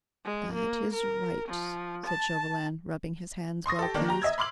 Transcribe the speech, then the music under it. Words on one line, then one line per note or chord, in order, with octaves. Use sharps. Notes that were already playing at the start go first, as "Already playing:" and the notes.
"That is right," said Chauvelin, rubbing his hands, well pleased.
G#3
A#3
A#4
F3
A5
C6 C#6 D#6 A#6
G4 A4
D#3 A#3 D4
G4 A#5
D#5 E5 E6 G#6
B5 C6 D6 F6 F#7